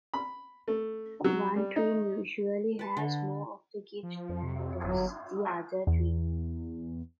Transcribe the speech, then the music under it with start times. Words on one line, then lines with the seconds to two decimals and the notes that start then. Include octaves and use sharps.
One twin usually has more of the gifts than does the other twin.
0.14 B5
0.68 A3
1.24 F#3
1.56 G3
1.76 D#4
2.79 B4 A5
2.97 D3
4.03 F3
4.29 F2
4.43 C3
4.84 G1 F#3
5.87 E2